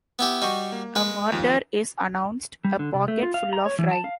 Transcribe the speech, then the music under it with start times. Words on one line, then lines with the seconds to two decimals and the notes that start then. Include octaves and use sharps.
"A Murder Is Announced", "A Pocket Full of Rye".
0.19 B3 E4 G4
0.42 G3 F#4 D#5 G5 C#6
0.72 A#3
0.96 G#3 B4
1.32 D#2 F3
2.65 G3
2.79 D3
2.94 C3
3.08 A3
3.23 F4
3.34 F5
3.53 A#5
3.66 C#5
3.79 E3
3.91 A5
4.04 F5